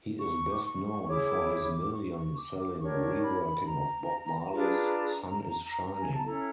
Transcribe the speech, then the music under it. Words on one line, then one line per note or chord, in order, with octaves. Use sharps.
He is best known for his million-selling reworking of Bob Marley's Sun Is Shining.
C#6
D6
C#6
E4 G#4 C#5 D6
C#6
C#6
D6
D6
D4 G4 A#4 C#5 C#6
B5
A#5
D4 F4 G#4 B4 A#5
G#5
A5
C#4 E4 A4 A#5